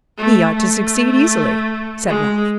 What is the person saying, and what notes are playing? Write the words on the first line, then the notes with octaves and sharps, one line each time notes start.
"He ought to succeed easily," said Ralph.
A3
A3
G#3